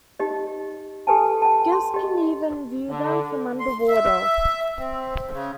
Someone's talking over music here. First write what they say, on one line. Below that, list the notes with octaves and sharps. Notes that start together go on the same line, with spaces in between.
Guests can even view them from underwater.
D#4 G4 D#5
G4 A4 B4 G#5 A5
G5 A5
C6
G4 D#5
D3
C6
E5
C4
C#3